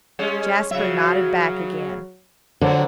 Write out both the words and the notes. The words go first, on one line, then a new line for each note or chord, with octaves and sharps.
Jasper nodded back again.
G3 G#3 C#4
C#3 F#3 E5
D3 F3 F#3 C4